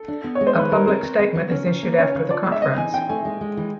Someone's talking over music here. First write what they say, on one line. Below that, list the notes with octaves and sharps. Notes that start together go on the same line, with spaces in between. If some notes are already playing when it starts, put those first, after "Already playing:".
A public statement is issued after the conference.
Already playing: A4
D4
B3
C#5
G#3
C5
D#3 B4
G3 A#4
C4
C4
C4
F#3
C#4
C#4
A#3
C#4 C#5
C#3
F3 D5
G#3
E5
C4 D#5
E3 G#5
C4 G5
A3 G#5
G#3
G#3
E3